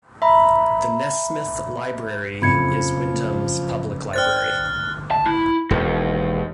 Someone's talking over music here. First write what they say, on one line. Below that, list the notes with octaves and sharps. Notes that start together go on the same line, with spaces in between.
The Nesmith Library is Windham's public library.
E5 A#5 B5
F#1 F2 F3 B5 G#6 C#7
C5 D5 G5 F6 F#6 A6
A5
E4
E1 D#2